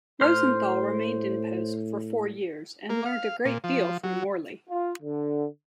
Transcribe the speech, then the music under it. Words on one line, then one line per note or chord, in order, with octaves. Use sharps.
Rosenthal remained in post for four years and learnt a great deal from Morley.
A2 C5 F6
A#3
F5
A#2
F3
F#3
F4
D3